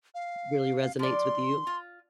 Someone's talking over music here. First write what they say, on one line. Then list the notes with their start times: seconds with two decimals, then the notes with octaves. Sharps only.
really resonates with you?
0.15 F5
0.99 F3 D5 C6
1.67 F4